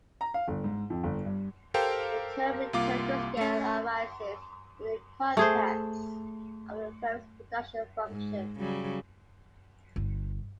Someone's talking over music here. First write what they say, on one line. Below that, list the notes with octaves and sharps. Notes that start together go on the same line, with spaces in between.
The term returns to scale arises in the context of a firm's production function.
A#5
F5
G1
G#2
F2
G1
G2
G4 A4 A#4 C5 F5 G5
C2 A#3 F4 F5 D6
A3 C#4
A3 G#4 C5
G#2
C#3 F#3 G3
G1